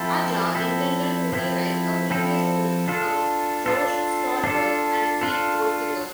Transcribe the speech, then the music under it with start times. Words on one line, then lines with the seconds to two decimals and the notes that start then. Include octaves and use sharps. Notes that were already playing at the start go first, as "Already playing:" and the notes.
Aja intended to rewrite a previous script from Josh Stolberg and Pete Goldfinger.
Already playing: F3 C4 E4 A4
0.55 F3 C4 E4 A4
1.32 F3 C4 E4 A4
2.10 F3 C4 E4 A4
2.88 D4 F4 A4
3.66 D4 F4 A4
4.44 D4 F4 A4
5.21 D4 F4 A4